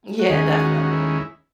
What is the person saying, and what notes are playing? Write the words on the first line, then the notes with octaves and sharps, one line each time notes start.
Yeah, definitely.
F#4
D#2 D#3 G#3 C#4 G#4
G#4
F#4
F#4
E4